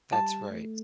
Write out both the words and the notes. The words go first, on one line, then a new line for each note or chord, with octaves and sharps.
That's right.
G3 A5
A3